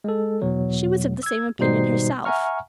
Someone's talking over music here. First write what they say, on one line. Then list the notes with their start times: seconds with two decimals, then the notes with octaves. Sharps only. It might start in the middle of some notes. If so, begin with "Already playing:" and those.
She was of the same opinion herself.
0.04 G#3 A4
0.42 E2 B2 F#3
1.23 E6 G#6
1.59 G#1 B2 G3 D#4 C5 C7
2.25 E5 F#5 G#5 A#5 C#6 F6